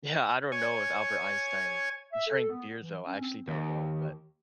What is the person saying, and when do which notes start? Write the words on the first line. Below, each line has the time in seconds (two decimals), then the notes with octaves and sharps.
Yeah, I don't know if Albert Einstein drank beers, though, I actually don't know, but
0.52 C#5 G#5
2.12 E5
2.27 A4
2.49 B3
2.80 E3
3.06 C#4
3.21 C4
3.48 D#2